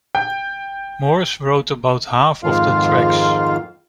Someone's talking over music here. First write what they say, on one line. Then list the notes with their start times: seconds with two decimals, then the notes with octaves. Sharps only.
Morse wrote about half of the tracks.
0.15 G5
2.43 F2 G#2 D#3 F4 F5